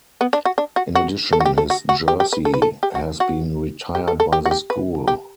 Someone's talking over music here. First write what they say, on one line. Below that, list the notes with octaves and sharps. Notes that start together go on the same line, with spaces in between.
In addition, his jersey has been retired by the school.
B3
D4
F#4
D4
F#4
F#4
A4
F#4
G4
A4
F#4
F#4
G4
G4
B4
A4
B4
A4
G4
F#4
F#4
G4
A4
A4
G4
F#4
G4
B4
G4